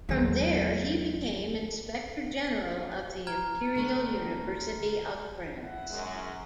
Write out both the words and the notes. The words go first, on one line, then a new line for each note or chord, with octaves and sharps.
From there he became inspector general of the Imperial University of France.
E2 D3 F#3 G#3 A#3
A#5 F6 G#6
D3 A3 D4
E4 F#5
F#2 G#3